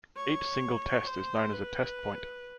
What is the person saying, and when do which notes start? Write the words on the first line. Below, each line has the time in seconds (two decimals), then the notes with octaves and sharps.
Each single test is known as a Test Point.
0.16 C#5
1.07 C5
1.53 B4